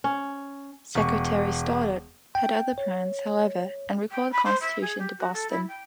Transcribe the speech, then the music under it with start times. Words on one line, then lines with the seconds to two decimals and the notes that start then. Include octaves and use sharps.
Secretary Stoddert had other plans, however, and recalled "Constitution" to Boston.
0.04 C#4
0.95 E1 C#6
2.35 G5
2.78 C#5
4.11 G5
4.32 B5
4.45 C5
4.61 E5
4.81 G#4
4.99 G4
5.18 F#4
5.33 A4
5.50 E4
5.68 G5